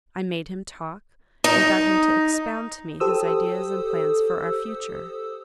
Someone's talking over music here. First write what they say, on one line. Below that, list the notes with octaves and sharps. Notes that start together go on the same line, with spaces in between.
I made him talk, and got him to expound to me his ideas and plans for our future.
D#4
G4 A4 C5 D#6 E6